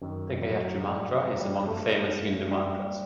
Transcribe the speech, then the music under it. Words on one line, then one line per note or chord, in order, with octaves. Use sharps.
The Gayatri mantra is among the famous Hindu mantras.
F#2 D#3
F#3
G3
F#3
G3
A3
G3